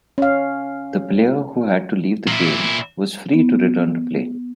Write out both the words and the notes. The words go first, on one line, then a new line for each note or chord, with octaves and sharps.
The player who had to leave the game was free to return to play.
C#4 F5
A#2 E4
B3